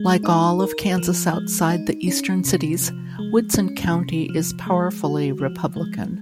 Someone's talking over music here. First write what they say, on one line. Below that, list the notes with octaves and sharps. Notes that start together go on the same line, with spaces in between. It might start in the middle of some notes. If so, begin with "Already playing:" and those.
Like all of Kansas outside the eastern cities, Woodson County is powerfully Republican.
Already playing: G#3
D#4
A#4
F3
G#3
D#4
C#4
C3
F3
G#3
C#4
C3
F3
G#3
F#4
F3
G#3